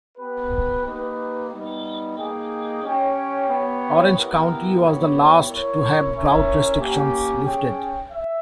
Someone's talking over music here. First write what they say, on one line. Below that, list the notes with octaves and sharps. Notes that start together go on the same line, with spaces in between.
Orange County was the last to have drought restrictions lifted.
B3 G4 B4
A#3 D#4 G4 B4
G3 B3 D#4
A#3 D#4 G#4 D#5 G5
C#4 G4 C#5 G5
B3 G4 C#5 G5
B3 E4 G4 A#4
B3 G4 C#5
E4 A#4 C#5
C#4 E4 A#4 C#5 E5
A#3 C#4 G4
C#4 G#4 C#5 G5
E5